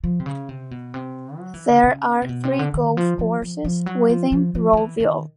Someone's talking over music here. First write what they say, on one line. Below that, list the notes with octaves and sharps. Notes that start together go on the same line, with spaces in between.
There are three golf courses within Rowville.
F3
C3
C#3
C3
B2
C3
F#3
E3
D3
C#3
C3
B2
C3
D3
D#3
F3
F3
F3
F3
F#3
F3
F3
F3
F3
E3
D#3